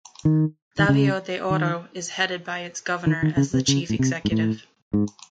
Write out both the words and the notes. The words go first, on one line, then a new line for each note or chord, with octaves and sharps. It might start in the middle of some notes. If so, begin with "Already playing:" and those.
Davao de Oro is headed by its governor as the chief executive.
D#3
D#3
C#3
D#3
D#3
D#3
C#3
C3
C#3
A2
C3
G#2
A2
G#2